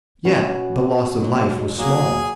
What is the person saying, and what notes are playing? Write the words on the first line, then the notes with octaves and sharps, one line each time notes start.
Yet the loss of life was small.
B2 C#4 F#4 B4
F#3
F#3 A#3 G#4